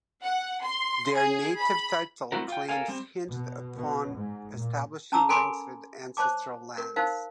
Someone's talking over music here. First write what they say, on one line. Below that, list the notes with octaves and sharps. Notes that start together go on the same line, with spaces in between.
Their Native Title claims hinged upon establishing links with ancestral lands.
F#5
C6
G#4
B5
G3 A3 C4 E4 F#4 A#4
F4 G5
A4 A#4 F5 G#5
G3 C4
B2
B2
G#2
A#2
C#4 A5 A#5 D6 E6
A4 A#4 G#5 B5 C6 D6
C5 C#5 A5 D6
A#4
D#4 A#4 C5 F5